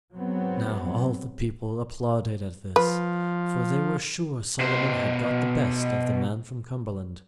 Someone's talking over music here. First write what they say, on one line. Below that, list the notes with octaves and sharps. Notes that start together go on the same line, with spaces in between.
Now all the people applauded at this, for they were sure Solomon had got the best of the man from Cumberland.
G#2 F#3 B3 C4
F3 B4
B2 C5